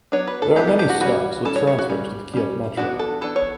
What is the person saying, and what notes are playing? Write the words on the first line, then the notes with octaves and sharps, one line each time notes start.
There are many stops with transfers to the Kyiv Metro.
F#3 B3 D4 C#5
B4
A4
F#3 B3 D4 G4
A4
G4
F#4
E3 G3 C#4 F#4
E3 G3 C#4 A4
C#5
C#5
F#4
G3 C#4
G3 C#4
E3 B3 D4 F#4
A4
E3 B3 D4 A4
C#5